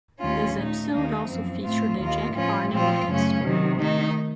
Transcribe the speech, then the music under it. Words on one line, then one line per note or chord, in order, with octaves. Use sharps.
This episode also featured the Jack Parnell Orchestra.
D#2 D#3 A3 C#4 F4
A#2 A3 D#4
D#2 D#3 A#3 D#4
F#2 F3 C4
A2 A3 C4 F4
D#2 D#3 A#3 F4
A2 F3 A3 C#4 F4
A#2 F3 C4 F4
F#2 C#3 A3 C#4
C3 D#3 F#3
D#3 A3 D#4